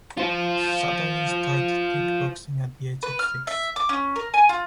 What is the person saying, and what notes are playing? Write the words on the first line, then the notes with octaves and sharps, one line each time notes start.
Sattari started kickboxing at the age of six.
F4 C5
B4
F6
E5
D6
C#4
A#4
G#5
F4